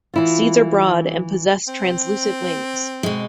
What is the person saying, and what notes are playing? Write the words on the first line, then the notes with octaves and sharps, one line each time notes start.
Seeds are broad and possess translucent wings.
E3 E4 F4
C4
B2 G#3